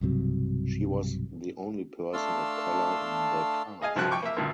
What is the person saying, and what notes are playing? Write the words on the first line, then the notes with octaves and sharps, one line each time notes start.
She was the only person of color in the cast.
B1 G2 C3 F#3
A3 D4 F5 A5 C6 E6
G#4 D#5 F5 G#5
C2 G2 F3 F#4 F#6
G5 C#6 D6
A#3 E5
D2 G2 A#2